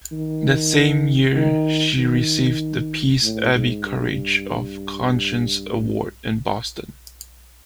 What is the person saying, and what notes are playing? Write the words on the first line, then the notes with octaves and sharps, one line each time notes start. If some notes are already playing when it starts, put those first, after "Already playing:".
That same year she received the Peace Abbey Courage of Conscience Award in Boston.
D#3
D#3
D#3
A2
G#2
G2